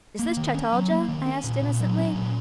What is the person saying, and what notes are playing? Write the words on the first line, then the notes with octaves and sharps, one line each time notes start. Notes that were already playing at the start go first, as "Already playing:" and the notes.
'Is this Chataldja?' I asked innocently.
A#3
D#3
C#4
F#3
A#3
D#3
C#4
A#2
A#2
F#3
C#4
A#2